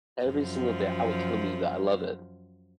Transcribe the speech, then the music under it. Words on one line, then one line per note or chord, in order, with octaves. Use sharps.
every single day, I would totally do that. I love it.
F#2 F3